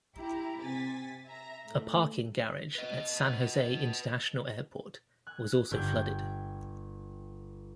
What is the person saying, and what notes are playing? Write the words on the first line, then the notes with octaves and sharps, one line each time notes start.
A parking garage at San Jose International Airport was also flooded.
E4 G4 A#5
C3 G#5 A6 B6
E5 A#5
A2 A3
B4 D#5
G#5 F#6
G1 G4 G5 G#5 F6 G6